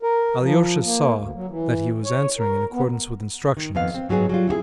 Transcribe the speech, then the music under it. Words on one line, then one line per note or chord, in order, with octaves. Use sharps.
Alyosha saw that he was answering in accordance with instructions.
A#4
F3
A#3
D2
F#3
E3
C#5
A#4
B3
D#3
F2 D#3 B3 F5
C4
G#2 F#3 B3 G4 G#4
F#3 G3 F4
C4 E4 F#4 G#4